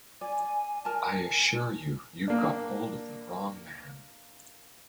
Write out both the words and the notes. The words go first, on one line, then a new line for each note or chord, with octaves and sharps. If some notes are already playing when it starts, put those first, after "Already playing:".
I assure you, you've got hold of the wrong man.
D5 G#5
A#4 A5
A#3 D4